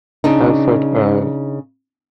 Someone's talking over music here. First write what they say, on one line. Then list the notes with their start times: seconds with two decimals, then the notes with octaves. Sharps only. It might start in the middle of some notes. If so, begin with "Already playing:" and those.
Alfred Earle.
0.24 C#3 D4 D#4